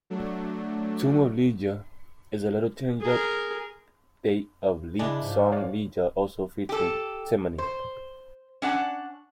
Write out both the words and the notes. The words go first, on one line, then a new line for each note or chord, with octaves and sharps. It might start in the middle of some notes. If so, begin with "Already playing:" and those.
"Tomb of Liegia" is a little-changed update of leaked song "Ligeia", also featuring Timony.
F#3 A3 D4
G#4 A#4
C#3 G#3 D4 E4
G#2 F3
C#5 D5 F5
G4 A4
C5
C#4 D4 F#5 A5